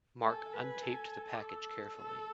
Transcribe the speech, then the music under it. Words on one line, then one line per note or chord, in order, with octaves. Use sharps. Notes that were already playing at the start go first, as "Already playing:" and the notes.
Mark untaped the package carefully.
A4 G#5
B4
A4
D6
E6
A4